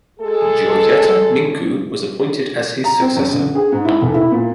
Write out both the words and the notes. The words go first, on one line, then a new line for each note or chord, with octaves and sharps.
Georgeta Mincu was appointed as his successor.
G#3 F#4 G#4 A4
A#5
C4
F#2
D3
G#4
G#2
E4
F1
E4
A#2